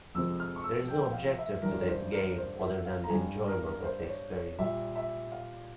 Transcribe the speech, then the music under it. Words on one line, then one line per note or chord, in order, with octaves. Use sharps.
There is no objective to this game other than the enjoyment of the experience.
F2 C3 F3 G#3 E6
F6
C#6
E6
G5
F5
E5
G2 E3 G3 A#4
C#5
C5
A#4
C5
E5
F5
A#5
G2 G3 G#5
A#4
A#4
C5
C#5
C#5
A#2 G3 E5
E5
F5